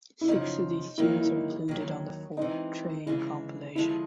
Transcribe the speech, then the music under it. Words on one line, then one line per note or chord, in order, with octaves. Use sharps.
Six of these tunes are included on the "For Trane" compilation.
E4
F#2 C#3 F3 D#4
G#2 D#3 F#3 A#3 D#4 E4
E4
D#2 D#3 F#3
E3 G#3 C4 D#4
C#3 E3 G#3 E4
D3 F3 G#3 E4